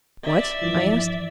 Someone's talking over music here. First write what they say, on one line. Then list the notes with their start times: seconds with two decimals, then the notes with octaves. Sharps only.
"What?" I asked.
0.23 D5 E5
0.62 G2 E3 F3